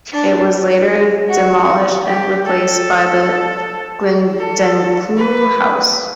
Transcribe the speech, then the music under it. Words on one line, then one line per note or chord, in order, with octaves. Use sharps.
It was later demolished and replaced by the Gyldenklou House.
D4
F#4
G4
A4
A4
B4